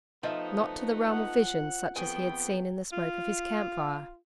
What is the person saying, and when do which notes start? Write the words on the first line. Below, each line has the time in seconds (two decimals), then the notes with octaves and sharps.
Not to the realm of visions such as he had seen in the smoke of his camp fire.
0.23 F3 A3 B3 D#4 F4 D#5 E5
1.09 F#5
1.96 F2 B3 G#4 G5 G#5
2.93 F4